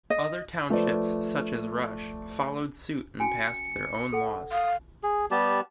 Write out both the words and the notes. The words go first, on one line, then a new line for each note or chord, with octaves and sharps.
Other townships, such as Rush, followed suit and passed their own laws.
D#5
F3 A3 B4 C5 D5
C#4 F#4 G#5 C#7
A4 F#5
F5 D#6
G#4
G3 B3 G4 A5